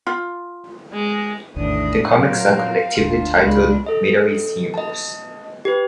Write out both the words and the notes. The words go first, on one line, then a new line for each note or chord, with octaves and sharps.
The comics are collectively titled "Middle East Heroes".
F4
G#3
A1 E2 A2 D#3 D4 D#6
A#2 F#3 C4 A#4 F5
F1 D2 D4 F4
C#2 A#2 G#3 D4 B5
A4 D#5
D#5 A5
G4 B4